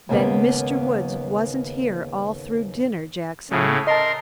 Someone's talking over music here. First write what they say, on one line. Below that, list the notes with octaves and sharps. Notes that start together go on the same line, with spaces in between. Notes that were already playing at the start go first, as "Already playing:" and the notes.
"Then Mr. Woods wasn't here all through dinner, Jackson?"
D#2 G#2 C#3 A#3 B3
A2 C#3
A#4 D#5 A5 C6